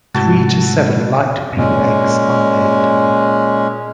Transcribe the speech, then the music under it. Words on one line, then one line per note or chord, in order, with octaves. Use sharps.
Three to seven light blue eggs are laid.
G#2 C3 G#3 A3 E4 F#4 F#5 A5
A#2 G#3 C#4